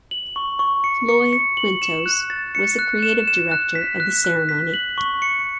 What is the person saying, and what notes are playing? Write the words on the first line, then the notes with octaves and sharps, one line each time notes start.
Floy Quintos was the creative director of the ceremony.
F#7
C#6
C#6
C#7
C#7
C#7
F#7
E7
F#6
A6
C#7
F#6
E7
E7
F#6
B6
F#6
F#6
B6
F#7
C#6
C#7